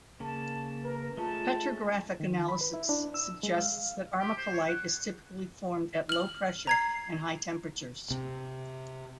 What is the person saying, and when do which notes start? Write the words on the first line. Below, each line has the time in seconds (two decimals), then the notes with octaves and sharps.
Petrographic analysis suggests that armalcolite is typically formed at low pressures and high temperatures.
0.20 C#3 A#3 A5
0.84 A#4 B4
1.17 G#3 A3 C#4 F4 A5
2.20 D#3
2.48 B5
2.61 B4
2.74 E4
2.89 D4
3.14 E6
3.43 G#3
3.58 F5
4.19 G4
4.37 C5
4.53 C#5
4.68 F#5
6.09 F6 F#7
6.67 A#5 G#6 C7
8.11 C3